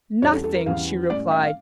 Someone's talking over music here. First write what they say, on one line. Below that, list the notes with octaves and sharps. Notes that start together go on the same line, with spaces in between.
"Nothing!" she replied.
E2 E3 G3 C#4 C#5
A4
A4
A#4
E2 E3 G3 C#4 F5
A2 G3 C#4 D5
E5
F5